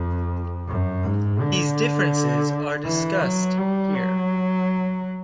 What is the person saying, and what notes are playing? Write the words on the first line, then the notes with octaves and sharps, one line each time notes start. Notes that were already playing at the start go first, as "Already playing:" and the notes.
These differences are discussed here.
Already playing: F2
F#2
G#2
D3
E3
F#3
G3
F#3